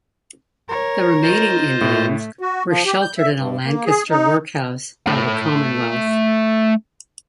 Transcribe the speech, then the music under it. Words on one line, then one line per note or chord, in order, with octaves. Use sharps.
The remaining Indians were sheltered in a Lancaster workhouse by the Commonwealth.
A#4 C#5
F4 C5 D#5
A2 A3
F#4
F3
G4
G6
E5
G2
A#3
G#4
D#4
A3 B5